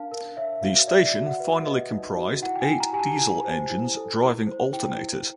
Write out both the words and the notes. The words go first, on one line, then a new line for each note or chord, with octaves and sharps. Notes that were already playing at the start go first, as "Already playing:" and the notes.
The station finally comprised eight diesel engines driving alternators.
Already playing: D4 A#4 F5 A5
A#4
C#5 E5
F#4 F5
D5 E5
F#4
F#5
B4
B4 D#5
D#4
F#4
E4 F#5
G5
G#5
E4
A#5
G4 G#5
A5
E4 G#5
C5
E4
A4
E4
C5
E4 G5
E4